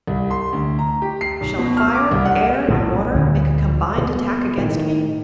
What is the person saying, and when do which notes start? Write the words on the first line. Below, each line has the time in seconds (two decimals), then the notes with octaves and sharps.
Shall fire, air, and water make a combined attack against me?
0.08 C2
0.31 C6
0.53 D2
0.79 A#5
1.02 G4
1.21 C7
1.41 B1
1.58 B2
1.77 F6
1.95 D6
2.11 C2
2.25 F#5
2.68 B1 A2 G#3
3.14 D2 A#2
3.98 B2
4.57 A2 D#3